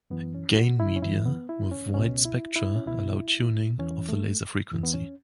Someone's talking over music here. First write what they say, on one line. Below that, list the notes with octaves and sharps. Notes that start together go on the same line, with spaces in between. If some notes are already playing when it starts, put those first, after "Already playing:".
"Gain media" with wide spectra allow tuning of the laser frequency.
F#2 E3 B3
C#4
F#4
E4
C#4
F#2 E3 E4
B3
E4
C#4
C#2 B2 C#4
E4
E4
C#4
C#2 B2 E4
E2 E3 C#4
A3
E2 E3
B3
C#4